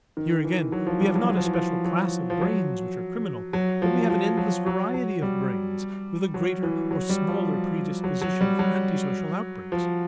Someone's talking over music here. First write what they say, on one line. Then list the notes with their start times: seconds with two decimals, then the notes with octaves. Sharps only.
Here again we have not a special class of brains which are criminal; but we have an endless variety of brains with a greater or smaller predisposition for antisocial outbreaks.
0.17 D#3
0.44 E3
0.72 F#3
0.87 F3
1.00 G3
1.15 F#3
1.29 F#3
1.37 F3
1.45 E3
1.54 F3
1.85 F#3
2.30 F3
2.41 F#3
3.53 F#3
3.82 F3
4.10 F3
4.37 F#3
4.66 F#3
4.94 F#3
5.22 G3
6.34 F#3
6.63 E3
6.91 F#3
7.09 G3
7.28 F3
8.04 F#3
8.21 F#3
8.41 G3
8.59 F#3
9.72 F3